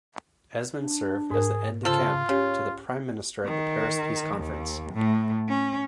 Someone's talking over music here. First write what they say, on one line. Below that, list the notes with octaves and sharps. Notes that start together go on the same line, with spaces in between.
Esmond served as Aide-de-Camp to the Prime Minister at the Paris Peace Conference.
D4
G#2 G#4 A#4
C#3 F3 F4 A4
C#3 C#4 G4 C#5
D#3
D#2
A2
C#4